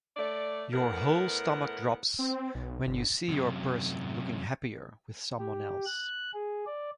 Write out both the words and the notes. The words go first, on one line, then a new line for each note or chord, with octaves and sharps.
Your whole stomach drops when you see your person looking happier with someone else.
A3 C#5 D5
A2 A3 B3 A#4 F#5
C4
B1
G1
F#2 C3
G4
F#6
G#4
D5